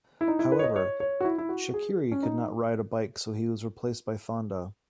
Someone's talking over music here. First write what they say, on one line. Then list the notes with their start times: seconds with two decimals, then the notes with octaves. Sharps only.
However Chakiris could not ride a bike so he was replaced by Fonda.
0.21 E4
0.28 D#4
0.39 E4
0.52 B4
0.59 C#5
0.64 D#5
0.76 C#5
1.00 C#5
1.20 F#4
1.25 E4
1.38 E4
1.49 F#4
1.74 G#4
2.12 C#4
2.23 D#4